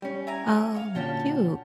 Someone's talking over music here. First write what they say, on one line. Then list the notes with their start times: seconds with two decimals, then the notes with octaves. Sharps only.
Oh, cute.
0.02 G3 C#4
0.27 E4 G#5 A#5
0.74 C#5 F5
0.95 A#2 D3 C#4 F#4 G5 A5